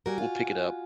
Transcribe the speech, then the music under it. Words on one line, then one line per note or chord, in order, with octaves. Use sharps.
we'll pick it up,
G3 F#4 A#4 G#5
F4